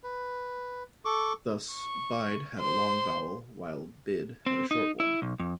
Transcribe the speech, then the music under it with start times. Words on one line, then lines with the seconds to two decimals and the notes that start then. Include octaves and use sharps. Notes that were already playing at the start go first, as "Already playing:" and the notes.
Thus "bide" had a long vowel, while "bid" had a short one.
0.04 B4
1.05 A4 C#6 D6
1.73 C#6
2.60 C5 C6
4.46 C4
4.71 D#4
5.00 E4
5.22 B1
5.40 F2